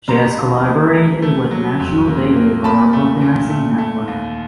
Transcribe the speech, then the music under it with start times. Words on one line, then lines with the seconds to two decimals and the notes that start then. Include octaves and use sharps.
She has collaborated with National Day Laborer Organizing Network.
0.08 G3 A#5 C6
0.37 D#2
0.65 G3
0.94 A3
1.22 A3
1.51 F#3
1.80 F2
2.08 A#3
2.36 A#3
2.64 A#2 A5 B5
2.93 A3
3.21 A#2
3.50 A3
3.78 A3
4.08 D#2